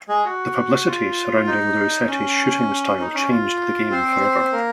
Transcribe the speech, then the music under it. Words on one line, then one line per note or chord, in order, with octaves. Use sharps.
The publicity surrounding Luisetti's shooting style changed the game forever.
G#3 G#4
F#4
F4
D#4
C#4
D#4
C#4
F4
C4 C5
A#3 A#4